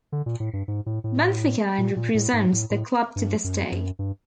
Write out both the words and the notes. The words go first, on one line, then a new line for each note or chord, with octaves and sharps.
Benfica and represents the club to this day.
D3
A#2
A2
G2
G#2
A2
A2
A#2
A#2
A2
G#2
A2
A2
G2
F#2
F#2
G2